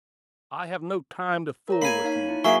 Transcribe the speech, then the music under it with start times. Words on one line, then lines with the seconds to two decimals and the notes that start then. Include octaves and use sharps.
I have no time to fool with you.
1.68 A#4 C#5 A#5
1.82 A#3 G#5 B5
2.04 D#4 C#5 F5
2.29 E4
2.44 F#3 A#3 G#4 E5 G#5 C#6 G7